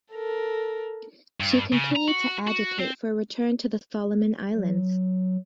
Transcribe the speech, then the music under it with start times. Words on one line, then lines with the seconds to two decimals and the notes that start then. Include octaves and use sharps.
She continued to agitate for a return to the Solomon Islands.
0.12 A4 A#4
1.40 G2
1.72 C#3
1.96 A#5
2.07 F#4
2.47 F#4
2.78 C4
4.55 F#3